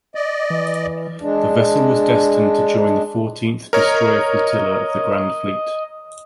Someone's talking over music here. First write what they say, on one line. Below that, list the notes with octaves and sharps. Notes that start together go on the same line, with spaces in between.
The vessel was destined to join the Fourteenth Destroyer Flotilla of the Grand Fleet.
D5 D#5
E3
G#3 D4
A#4 C#5 D#5